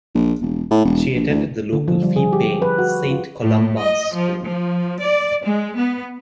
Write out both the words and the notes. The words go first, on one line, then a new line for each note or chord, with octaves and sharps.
She attended the local fee paying Saint Columba's School.
A#1
E1
A2
E1
A#1
D2
D3
F3
G3
G#4
G4
B4
F#4
F4
A2
D#5
F3
F3
D5
G#3
B3